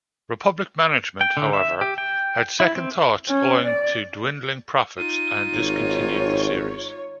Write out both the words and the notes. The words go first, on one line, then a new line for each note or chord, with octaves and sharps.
Republic management, however, had second thoughts owing to dwindling profits, and discontinued the series.
G5
D3
E5
G4
G5
E4
C4
C#4
D5
D#4 F4 D#7
G#1 C#5